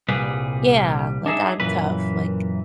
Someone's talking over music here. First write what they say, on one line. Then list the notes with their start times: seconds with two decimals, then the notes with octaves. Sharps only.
yeah, like, "I'm tough," Like,
0.09 C2 A#2 G3 G#4 B4
1.26 D4 D#4 G#4 E5
1.60 F#2 A#2 E3 B4